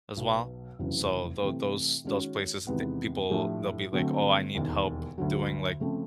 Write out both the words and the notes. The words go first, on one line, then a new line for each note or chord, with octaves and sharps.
as well. So, tho those those places, th people, they'll be like, "Oh, I need help doing, like"
B1 B2 F#3
F1 E2 C#3 F#3
C3 E3 A3 C4
D#3 G#3 C#4 F#4
E2 C3 D#3 G#3 B3
A2 F3 A3 D4 G4
D3 F#3 A3 C4
E1 D#2 D#3
D2 D3 F#3
C#3 F3 A3 C4